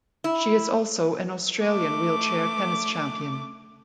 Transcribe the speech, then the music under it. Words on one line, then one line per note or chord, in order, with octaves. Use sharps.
She is also an Australian wheelchair tennis champion.
E4
A3 D6